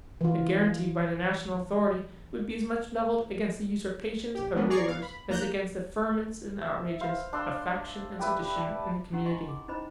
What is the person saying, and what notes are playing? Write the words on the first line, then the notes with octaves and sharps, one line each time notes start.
A guaranty by the national authority would be as much levelled against the usurpations of rulers as against the ferments and outrages of faction and sedition in the community.
E3 F4
B1 G4
D#3 G#3 B3 C#4 D4
G#4 D5 A#5 C#6 G#6 C7
G1 F5
B5
D#2 A#3 A#5 F#6 G6
E5
C5 F5
D4 C6 E6
G4 B4 E5
D5 A5
C#4 D#4 G4 F#5 A#5
E4 F4 D#5 G#5 C6 C#6
G#4
C#4 D#4 E4 C5 D#5 B5